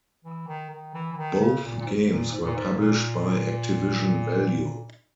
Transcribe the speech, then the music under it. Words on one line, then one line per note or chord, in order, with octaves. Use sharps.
Both games were published by Activision Value.
E3
D#3
D#3
E3
E3
D#3
C#3
A#2
A#2
G#2
A#2
G#2
A#2
G#2
A#2